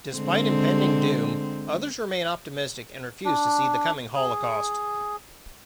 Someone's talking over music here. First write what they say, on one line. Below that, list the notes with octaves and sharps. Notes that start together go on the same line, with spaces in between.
Despite impending doom, others remain optimistic and refuse to see the coming Holocaust.
D3 G#3 C4
D4
G#4